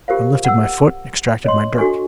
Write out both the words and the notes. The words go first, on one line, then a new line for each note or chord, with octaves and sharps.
I lifted my foot; extracted my dirk.
F4 G4 A#4 C5 F5
F#5 E6
C#5 D#5 C6
D4 F#4 A4 G#5 C#6